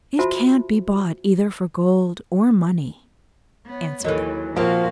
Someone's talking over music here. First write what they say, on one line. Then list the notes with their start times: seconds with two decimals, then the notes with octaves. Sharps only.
"It can't be bought either for gold or money," answered the girl.
0.19 F4 F#4 C5 E5 A5 B5
3.66 B3 C#5
4.04 D#2 E3 F#3 A4 A#4 D#5
4.56 A#2 F3 A#3 C4 F#4 F5